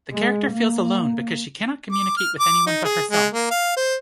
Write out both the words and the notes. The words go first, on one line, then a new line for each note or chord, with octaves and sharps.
The character feels alone because she cannot communicate with anyone but herself.
G#3
A#3
D6
F6
D6
D#4
G#4
G#3
A#3
F5
C5